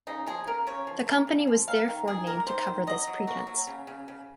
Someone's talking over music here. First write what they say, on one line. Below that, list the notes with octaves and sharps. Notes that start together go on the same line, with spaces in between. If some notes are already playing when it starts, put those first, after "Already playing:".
The company was therefore named to cover this pretence.
C#3 D#4
F3 G#4
C#3 A#4
C#3 C#5
F3
A#3
C#3
F3
A#3 F5
D#3
D#3 G#4
A#3 A#4
D#3 C5
D#3
F#3 D#5
F#3
A#3 F#4
F#3
C#3
C#3
C#3